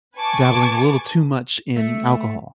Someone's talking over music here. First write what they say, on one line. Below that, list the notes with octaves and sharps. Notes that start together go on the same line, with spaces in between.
dabbling a little too much in alcohol.
B4 G#5 A5 C#6 D6
A3